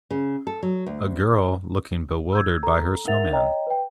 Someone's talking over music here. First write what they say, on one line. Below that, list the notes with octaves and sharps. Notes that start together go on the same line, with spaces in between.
A girl looking bewildered by her snowman.
C#3
A4
F#3
D2
E6 G6 G#6
A4 A#5
D#4 A#4 E5 F#5 A6 F7
C#5 D#5 G5 A#5
B4 G5